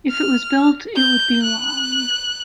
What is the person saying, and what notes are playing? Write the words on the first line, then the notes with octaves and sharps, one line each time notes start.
If it was built, it would be long.
F6
G6
F#6